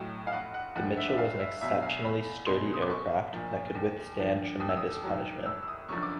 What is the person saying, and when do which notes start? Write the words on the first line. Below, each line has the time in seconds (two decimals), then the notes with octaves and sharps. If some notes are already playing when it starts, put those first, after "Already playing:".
The Mitchell was an exceptionally sturdy aircraft that could withstand tremendous punishment.
Already playing: B1 A2 F#3 G5
0.27 F5
0.33 F1 F#5
0.54 F#5
0.75 D#2 D3 F3 F#5
0.97 E5
1.08 E5
1.18 F#1 F5
1.39 E5
1.61 E2 B2 F#3 E5
1.82 F5
2.04 E2 B5
2.46 B2 F#3 C6
2.73 D#6
2.82 D6
2.90 B1 C#6
3.33 A#2 F3
3.75 D#2
4.17 D3 F3
4.60 D#2 D#6
4.69 E6
4.77 D#6
5.03 D#3 F#3
5.46 G1 E6
5.63 E6
5.68 D#6
5.88 F#2 D3 F3 C#6
6.03 D6